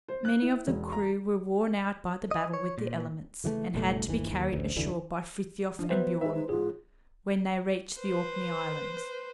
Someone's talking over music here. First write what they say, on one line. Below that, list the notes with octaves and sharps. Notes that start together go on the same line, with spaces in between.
But many of the crew were worn out by the battle with the elements and had to be carried ashore by Frithiof and Bjoern when they reached the Orkney Islands.
C5
F#6
E4
E1
A#5
D#5
C#5
A#2
C#3 E3 G3 A3
F#1 B2 G3 A3
G1 D#2 A#2 E3
D#2
A1 D2
F1 D2 D3 E3
F3 D4
F#3 B3 B4 C5 E5
G#3 D#4 E5
D#4
A1 G#2 F4 G#4
B4 C5